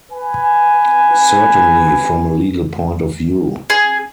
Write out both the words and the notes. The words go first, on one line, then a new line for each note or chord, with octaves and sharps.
Certainly from a legal point of view.
B4 G#5
G#4